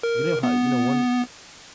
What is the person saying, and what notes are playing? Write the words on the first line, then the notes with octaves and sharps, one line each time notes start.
you know how you know, one
A#4
B3